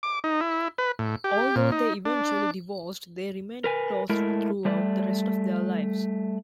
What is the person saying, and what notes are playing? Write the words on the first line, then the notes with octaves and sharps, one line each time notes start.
Although they eventually divorced, they remained close throughout the rest of their lives.
D6
D#4
E4
B4
A2
G4
A#2
D#4
D4
A#4 B4 G#5
G#3 A3 E4 A#4
G3 A3 D5